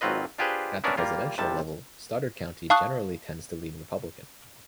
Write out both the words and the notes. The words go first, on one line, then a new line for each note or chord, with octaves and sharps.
At the presidential level, Stoddard County generally tends to lean Republican.
G#1 F#3 C4 F4 B4 D#5
D4 F4 G4 G#4 B4 C5
B3 C#4 D4 A#4 D5 E5
G3 A#3 F4
D#2 C3 G3 A5
F5 A5 C#6 D#6 F#6